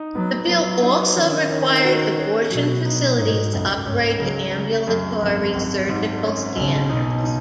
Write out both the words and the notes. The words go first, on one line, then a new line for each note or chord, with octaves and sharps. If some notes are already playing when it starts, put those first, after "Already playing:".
The bill also required abortion facilities to upgrade to ambulatory surgical standards.
Already playing: D#4
F#3 B3
F#3 B3
D#4
D#3 C#4
C#4
F#4
C#4
B2 F#3
D#4
G#2 D#4
C#2 F#2
G#2 C#4
C#3 F#3
C#3
F#2
G#1
G#1
G#2
C#4
B1 C#3
B2 D#4
D#4